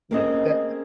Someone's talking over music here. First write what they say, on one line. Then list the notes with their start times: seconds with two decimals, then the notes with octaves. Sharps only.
Yep, that
0.11 A#3 C4 C#4 G#4 A4 D#5